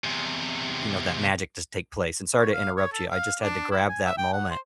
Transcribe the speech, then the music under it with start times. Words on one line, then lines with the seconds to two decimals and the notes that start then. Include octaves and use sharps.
you know, that magic to take place, and sorry to interrupt you. I just had to grab that moment.
0.04 E2 C3
2.37 C#5
2.54 F5
2.77 C#5
2.92 A4
3.10 F5
3.41 D4
3.71 E4
3.89 G#5
4.06 E5
4.18 G5
4.33 F#5
4.50 C5